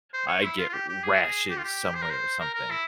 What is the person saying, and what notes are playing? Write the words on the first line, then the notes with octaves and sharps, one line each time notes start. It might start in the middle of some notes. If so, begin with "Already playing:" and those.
I get rashes somewhere or something.
C5
C#5
E4
F4
F4
G4
G4
G#4
G4
F4
G4
C5
A#4
C5
A#4
A#4
E4